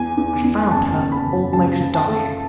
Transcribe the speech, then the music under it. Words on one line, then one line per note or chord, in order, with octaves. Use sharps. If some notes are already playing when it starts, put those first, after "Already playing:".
I found her almost dying.
Already playing: E2 G#5
E2
E2
F#1 A5
F#1
B5
F#1
C#2 A5
C#2
A5
A3